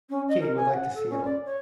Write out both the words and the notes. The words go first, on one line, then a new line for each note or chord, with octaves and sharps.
Katy would like to see Italy.
C#4
D#5
A#4
G#5
F#5
A4
C#4
D5
C#5